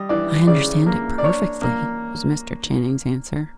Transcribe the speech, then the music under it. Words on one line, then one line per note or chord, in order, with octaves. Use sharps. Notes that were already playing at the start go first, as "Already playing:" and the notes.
"I understand it perfectly," was Mr. Channing's answer.
Already playing: G3 D#5
E3 D5
C#3 D5
A#3
D5
D4 C#5
A#3